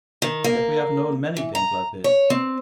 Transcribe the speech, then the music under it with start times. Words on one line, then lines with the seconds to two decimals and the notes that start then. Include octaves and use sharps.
Yet we have known many things like this.
0.22 D#3
0.44 A#3
1.37 E3
1.55 A#5
2.04 C#5
2.30 C4